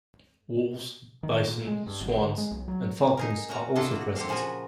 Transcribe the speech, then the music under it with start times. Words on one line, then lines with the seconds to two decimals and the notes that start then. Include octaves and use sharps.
Wolves, bison, swans, and falcons are also present.
1.23 D#3
1.44 A#2
1.67 G#3
1.87 G2
2.01 G#1
2.20 D3
2.38 G#3
2.51 B1
2.68 F#3
3.17 D#4 G#4 A#4
3.49 C#4 F#4 A#4 A#5
3.75 D4 E4 F4 A4 D#5 A5
3.91 A#3 F#4
4.16 C4 G4 A4 F5
4.28 A#2 C#3 F3 F#4 A#4 G#5